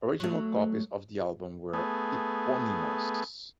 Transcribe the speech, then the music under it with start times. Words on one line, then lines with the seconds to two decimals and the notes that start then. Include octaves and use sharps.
Original copies of the album were eponymous.
0.20 F#3 A3
1.73 A3 B3 G#4